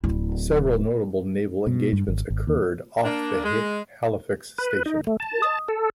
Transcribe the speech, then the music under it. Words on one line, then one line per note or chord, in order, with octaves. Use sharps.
Several notable naval engagements occurred off the Halifax station.
D1 E4
B2
G2
G#1
G#1
D#2
A#3 D4
G#3
B4
D#4
A3
A5
A4